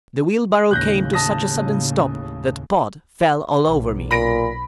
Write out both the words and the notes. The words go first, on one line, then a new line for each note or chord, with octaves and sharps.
The wheelbarrow came to such a sudden stop that Pod fell all over me.
D#2 A2 C#3 F#6 G6 A#6
A5 D#6 A#6
B1
A#2 B5 A#6 D7